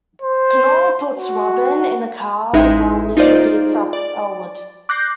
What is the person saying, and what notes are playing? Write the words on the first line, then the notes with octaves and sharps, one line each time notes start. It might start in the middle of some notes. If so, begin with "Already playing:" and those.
Knoll puts Robyn in a car while Lee beats up Elwood.
C5
F#4
A1 G#3 D#4 E4 E5
D#4 F4 G#4 C5 D5 D#5
D5
D6 F#6 G6 A#6 C7